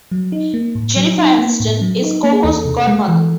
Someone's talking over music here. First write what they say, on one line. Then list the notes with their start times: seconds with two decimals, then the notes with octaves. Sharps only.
Jennifer Aniston is Coco's godmother.
0.11 F#3
0.32 D#4
0.54 A#3
0.75 A2
0.96 F#3
1.18 D#4
1.38 A#3
1.60 A2
1.81 F#3
2.02 D#4
2.23 A#3
2.33 G#4
2.44 E2 A4
2.65 C3
2.87 G#3
3.08 E3